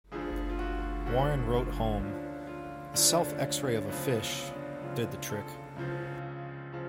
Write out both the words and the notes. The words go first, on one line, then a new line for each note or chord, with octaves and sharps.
Warren wrote home, A self x ray of a fish ... did the trick.
D2 D3 F3 G#4
F4
F#4
D2 D3 F3 F#4
F4
C#4
D2 D3 F3 D4
F4
D2 D3 F3 D4
C#4
C#4
C#2 C#3 F3 B3
C#4
D4
C#2 C#3 F3 F4
A4
C#2 C#3 F3
C#3 F3